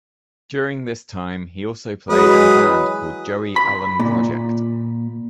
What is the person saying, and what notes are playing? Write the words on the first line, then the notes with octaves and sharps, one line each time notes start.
During this time, he also played in a band called Joey Allen Project.
E3 F#3 G#3 B4 D#6
B5
A#2